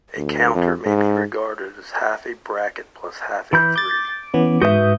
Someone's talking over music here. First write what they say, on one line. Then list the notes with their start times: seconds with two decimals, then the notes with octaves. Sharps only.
A counter may be regarded as half a bracket plus half a three.
0.17 D2
0.55 F2
0.86 G#2
3.53 E3 B5 G6
3.76 D6 G6 A6
4.34 E3 B3 C#4
4.62 G#2 F#4 B4 E5 D#6 G6